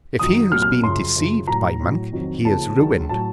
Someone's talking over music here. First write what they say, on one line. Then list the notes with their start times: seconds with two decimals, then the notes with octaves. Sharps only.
If he has been deceived by Monk, he is ruined.
0.19 F#2 D#3 F#3 D#6
0.51 C2 A#2 F#3 F6
0.62 F6
0.83 F#2 C#3 F3 C6
1.16 F#2 C#3 F3
1.48 A2 F#3 A#5
1.80 A2 F#3
2.12 F2 D#3 F#3
2.45 D#2 C#3 F3 A5
2.77 C#2 C#3 F#3
3.09 A2 F#3 A5